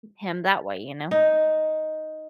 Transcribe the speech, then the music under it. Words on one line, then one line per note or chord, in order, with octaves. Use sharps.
him that way, you know?
D#4